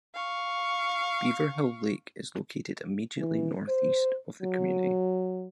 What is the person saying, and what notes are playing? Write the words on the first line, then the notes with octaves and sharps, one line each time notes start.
Beaverhill Lake is located immediately northeast of the community.
F5 C#6
E3
C5
F#3